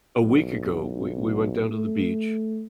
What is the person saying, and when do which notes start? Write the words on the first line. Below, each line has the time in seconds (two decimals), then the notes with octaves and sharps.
A week ago, we we went down to the beach,
0.23 B1
1.70 A3